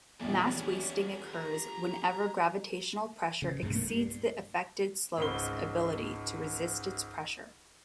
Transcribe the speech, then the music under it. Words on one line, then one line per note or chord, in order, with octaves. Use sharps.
Mass-wasting occurs whenever gravitational pressure exceeds the affected slopes ability to resist its pressure.
A#1 E2 C#4 G4 A4 D5
A#5
C#3
B1 G2 B2 G#3
A3 A#3
G2
G#1 C#2 G7